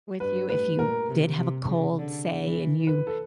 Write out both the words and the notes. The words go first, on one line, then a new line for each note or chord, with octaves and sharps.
with you if you did have a cold, say, and you
G2 B4
A2 B4
A#2 A#4
C3
C3
C#3
D3
E3
B4
A4